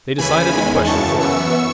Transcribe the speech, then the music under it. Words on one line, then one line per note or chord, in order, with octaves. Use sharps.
They decided the question for him.
D#2 C#3 E3 G#5 B5
E2 D#3 G#3
F#2 C#3 E3 A5 C#6
F#2 E3 B3 C#6 E6